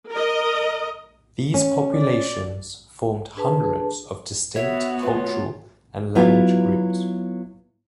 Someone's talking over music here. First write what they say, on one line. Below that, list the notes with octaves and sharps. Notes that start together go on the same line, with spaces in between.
These populations formed hundreds of distinct cultural and language groups.
A#4 D#5
C#4
D5
D4 G#4 B4 A5
B3 F#4 C#5 E5
A3 F4 B4
F#3 B3 E4 F4